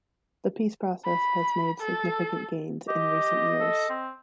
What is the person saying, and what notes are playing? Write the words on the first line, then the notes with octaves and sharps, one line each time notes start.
The peace process has made significant gains in recent years.
B5
A4
G4 D#5
A4
C4